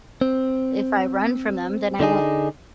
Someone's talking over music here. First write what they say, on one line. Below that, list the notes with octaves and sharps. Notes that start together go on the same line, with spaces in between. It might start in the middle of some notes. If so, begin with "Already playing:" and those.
if I run from them, then I won't
C4
D3 D4 D#4 G#4